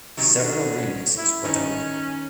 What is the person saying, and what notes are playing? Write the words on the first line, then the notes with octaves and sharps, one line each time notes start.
Several remixes were done.
C3 D#3 F#3
D3
C#4
E4
D#3 C#4 D#4